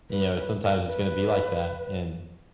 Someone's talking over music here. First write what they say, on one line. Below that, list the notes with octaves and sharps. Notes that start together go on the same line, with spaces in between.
you know, sometimes it's gonna be like that and
B4
B4
A#4
B4